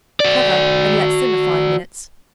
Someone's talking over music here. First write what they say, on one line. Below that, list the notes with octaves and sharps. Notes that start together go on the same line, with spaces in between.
Cover and let simmer five minutes.
F#4 D5